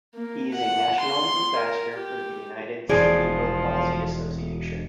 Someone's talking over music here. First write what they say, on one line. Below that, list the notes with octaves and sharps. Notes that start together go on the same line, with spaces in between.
He is a national ambassador for the United Cerebral Palsy Association.
A#3
F#5
C6
A#4
G4
E1 B2 E3 F3 G#4 D5